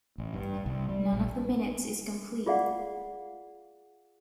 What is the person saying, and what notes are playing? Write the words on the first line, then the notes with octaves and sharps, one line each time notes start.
None of the minutes is complete.
A1
G2
C2
G3
A#1
F4 G#4 D5 F5 F#5